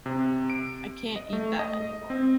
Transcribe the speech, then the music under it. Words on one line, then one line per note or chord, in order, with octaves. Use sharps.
I can’t eat that anymore.
C3
D7
D#5
A3
D#5
C4